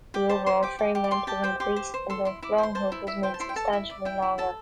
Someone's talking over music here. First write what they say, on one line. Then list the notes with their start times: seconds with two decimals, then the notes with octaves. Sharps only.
The overall frame length was increased, and the long hood was made substantially longer.
0.14 G4 G5
0.29 C5 A5
0.46 C5 C6
0.63 G4 D6
0.79 G4
0.95 G4
1.04 D6
1.11 D5 C6
1.27 G4 A5
1.44 C5 G5
1.60 G4 C6
1.76 C5
1.94 C5
2.10 A4 C6
2.25 E4 C6
2.42 E4 D6
2.58 C5
2.63 C6
2.75 C5 A5
2.92 E4
3.07 E4 E5
3.23 C5 G5
3.34 A5
3.40 E4 C6
3.49 G5
3.56 A4 A5
3.73 E4 E5
3.90 D5
4.05 E4 G5
4.22 E4
4.38 A4 A5